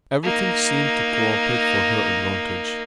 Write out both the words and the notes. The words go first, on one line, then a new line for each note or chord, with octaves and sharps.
Everything seemed to cooperate for her advantage.
A#3 D#4